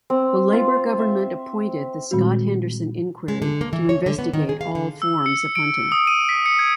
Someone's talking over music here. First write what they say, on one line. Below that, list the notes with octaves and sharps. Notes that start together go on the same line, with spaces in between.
The Labour government appointed the Scott Henderson Inquiry to investigate all forms of hunting.
C4
F4
E5
A#2 D#3 G3 G#3 C4 F#4
G#3
D3
A#3
E3
C#5
D3
B3
D#3
G#4
F5
D3
E6
C#7
D7
D#6
D#7
B6
C#7
G#6